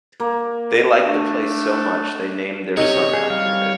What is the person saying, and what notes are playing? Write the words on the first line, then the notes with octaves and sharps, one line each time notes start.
They liked the place so much they named their son after it.
A#3
A3 D4
C3 C#4 D#4 C#5
G#4
G3 F5